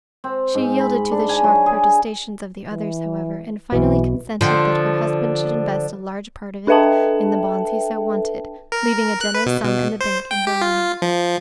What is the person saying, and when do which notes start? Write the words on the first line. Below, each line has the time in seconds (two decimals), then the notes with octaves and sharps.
She yielded to the shocked protestations of the others, however, and finally consented that her husband should invest a large part of it in the bonds he so wanted, leaving a generous sum in the bank in her own name.
0.24 C4
0.55 G#2
0.79 B5
1.11 D4
1.29 G#5
1.44 F#3
1.66 G#4
2.70 E3
3.72 B1 B2 E3
4.41 D3 F3
6.67 D4 A4 B4 E5 G5 A5
8.72 A#4
9.21 F#6
9.35 B4
9.46 B2
9.64 B2
10.01 C5
10.31 G5
10.47 G4
10.61 F4
11.02 F3